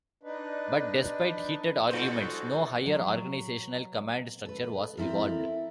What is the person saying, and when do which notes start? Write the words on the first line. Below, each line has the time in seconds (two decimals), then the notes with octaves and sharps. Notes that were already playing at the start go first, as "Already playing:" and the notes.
But despite heated arguments, no higher organisational command structure was evolved.
0.23 D4 D#4 B4
1.91 B2 F#3 D#4 F4 F#4 A4 C5
2.86 F#3
4.45 A4 B4
4.97 C4 E4 A4 A#4